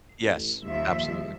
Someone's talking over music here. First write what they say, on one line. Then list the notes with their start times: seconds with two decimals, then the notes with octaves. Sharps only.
Yes, absolutely.
0.21 A1
0.63 D#2 F3 G3 E5